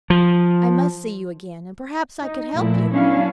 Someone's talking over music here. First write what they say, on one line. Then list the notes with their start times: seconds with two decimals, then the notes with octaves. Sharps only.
I must see you again; and perhaps I could help you.
0.10 F3
2.22 D#4
2.54 A#2 F3 A3 E4
2.93 F#3 B3 C#4 D4 E4 F5